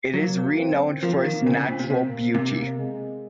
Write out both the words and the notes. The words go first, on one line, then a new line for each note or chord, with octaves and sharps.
It is renowned for its natural beauty.
F#3 A#3
C4
F3 A#3
D#3
C#3 C4
C#3
A#2
C3
C3 A#3
C3 A#3
G#3